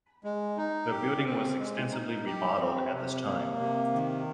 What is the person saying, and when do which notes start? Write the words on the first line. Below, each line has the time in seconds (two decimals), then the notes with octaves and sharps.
The building was extensively remodelled at this time.
0.24 G#3
0.57 D#4
0.91 G4
1.24 C4
1.59 G#3
1.92 D#4
2.26 G4
2.59 C4
2.93 C3
3.26 A#3
3.59 C3
3.93 D#3